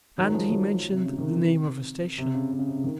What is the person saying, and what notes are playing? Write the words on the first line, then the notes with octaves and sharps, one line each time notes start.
And he mentioned the name of a station.
D#3 F#3
F#3
F3 G#3
D#3 F#3
C3
C#3
C3 D#3
C3
C#3
C3
C#3
C3
C#3
D#3